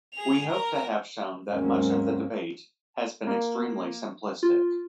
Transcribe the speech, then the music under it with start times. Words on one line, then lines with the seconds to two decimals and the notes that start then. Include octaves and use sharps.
We hope to have shown that much of the debate has been extremely simplistic.
0.14 G#4 F7
0.50 A#4 A#5
1.46 D#2 G#2 F#3 A#3 C4 C#4
3.27 A#3
4.43 F4